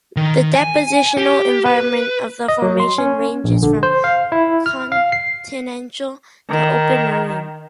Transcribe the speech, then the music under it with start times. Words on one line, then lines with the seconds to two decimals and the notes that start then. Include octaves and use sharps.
The depositional environment of the formation ranges from continental to open marine.
0.17 D#3
0.55 G#5
1.17 G4
1.66 B4
2.48 D#5
2.62 F#3
2.80 C6
2.98 C#4
3.44 A#1
3.63 D3
3.83 C5
4.04 F5
4.32 E4
4.66 F6
4.92 F5
5.12 C7
6.50 D#3